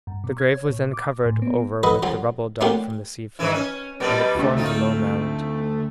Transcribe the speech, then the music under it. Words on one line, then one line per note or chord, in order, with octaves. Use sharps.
The grave was then covered over with the rubble dug from the seafloor, and it formed a low mound.
G2
B2
G#6
C#5
A#2
D6
A2
B3
F#4 A4 B4 D#5
D3 F3 F#3
A3 A#3 C#4 D4 F#4 G4
D#3 E3 E4
C#4
B2 G3 B3 A#4 D5
D2 A3
C4 D#4 F4